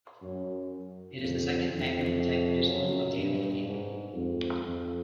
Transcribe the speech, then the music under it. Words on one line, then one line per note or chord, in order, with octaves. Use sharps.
It is the second "Magnum" type pistol obtainable in the game.
F#2
F2
F2
F#2
G2
G#2
F2
F2